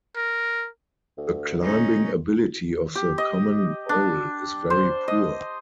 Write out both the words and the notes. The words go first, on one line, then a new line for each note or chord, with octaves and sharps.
The climbing ability of the common vole is very poor.
A#4
D2
C#4 D#4
G4
D#5
D4
C5
D#5